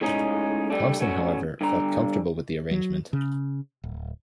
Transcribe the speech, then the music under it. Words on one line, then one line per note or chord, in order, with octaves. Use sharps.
Thompson, however, felt comfortable with the arrangement.
A2 G#3 C#4 D#4
G3 A3 D4
A3 C#4 F#4
G2 D3 A#5
F#3
C#3
D1